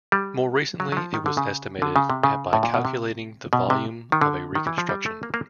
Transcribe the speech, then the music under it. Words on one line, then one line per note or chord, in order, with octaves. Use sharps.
More recently, it was estimated at by calculating the volume of a reconstruction.
G3
F#3
F#3
F3
D#3
D3
C#3
D3
C#3
C3
C#3
A2
A#2
B2
C3
B2
C3
D#3
D3
D#3
E3
F3
G3
A3
A#3
A#3